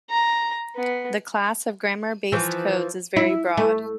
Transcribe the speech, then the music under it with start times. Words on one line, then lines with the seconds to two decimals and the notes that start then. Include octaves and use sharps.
The class of grammar-based codes is very broad.
0.10 A#5
0.76 B3
2.32 E3 F3
3.16 E4
3.57 A3